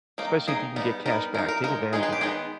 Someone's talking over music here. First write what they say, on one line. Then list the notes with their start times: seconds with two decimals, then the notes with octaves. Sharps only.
especially if you can get cash back, take advantage of that.
0.18 D#3 A#3 D#4
0.48 D#3 A#3 D#4 G#4
0.76 G3 B3 D#4
1.06 G3 B3 D#4 A#4
1.34 G#3 D#4 A#4
1.48 A#4
1.64 G#3 D#4 A#4
1.93 D#3 G#3 B3 D#4 G#4
2.03 G#4
2.13 G4
2.21 D#3 G#3 B3 D#4 G#4